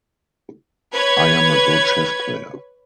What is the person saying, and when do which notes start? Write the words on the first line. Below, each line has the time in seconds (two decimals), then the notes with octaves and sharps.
I am a good chess player.
0.93 B4 C#5 G#6